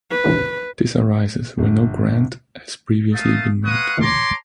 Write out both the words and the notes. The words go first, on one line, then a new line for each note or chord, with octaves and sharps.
This arises where no grant has previously been made.
B4
G1
A3 A#3 F5 A5 D#6
G#3 B4 F5 F#5 C#6 D#6
C#5 A5 A#5 C6 D6